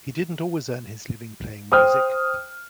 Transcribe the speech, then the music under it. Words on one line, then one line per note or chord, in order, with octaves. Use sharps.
He didn't always earn his living playing music.
C5 G5 D#6 F6